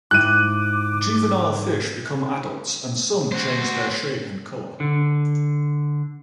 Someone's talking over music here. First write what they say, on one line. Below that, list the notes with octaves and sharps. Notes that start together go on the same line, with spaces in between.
Juvenile fish become adults and some change their shape and colour.
G#2 E4 G5 D6 F#6 D#7
F#4 C5
D3